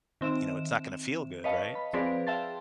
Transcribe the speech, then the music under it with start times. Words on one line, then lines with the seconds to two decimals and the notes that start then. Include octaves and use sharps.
you know, it's not gonna feel good, right?
0.21 D#3 C4 E5 E7
1.44 B4 C#5 D#5 F5 A5
1.75 B5
1.93 F3 C4 G#4 B4 D5
2.27 E5 F5 G5 A5 C6 A6